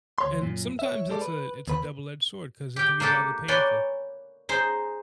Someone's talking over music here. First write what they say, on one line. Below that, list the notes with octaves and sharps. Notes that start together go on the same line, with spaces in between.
And sometimes it's a it's a double-edged sword, 'cause it can be rather painful.
D2 C#5 C6
F#2 A#2
C#5 E5
G3 G#3 A4 D5
B4
D#2 B4 B5
G4 G5
A#3 D4 G4 A4
A#3 B4 C#5 D5 G5 G#5
D#4 G#4 C5